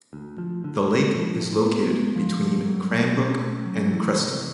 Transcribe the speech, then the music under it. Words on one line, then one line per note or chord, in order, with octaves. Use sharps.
The lake is located between Cranbrook and Creston.
D2
F3
D3
G#3
F3
A2
B3
G#3
F3
A3
F#3
B2
C#4
A3
F#3
E3
C3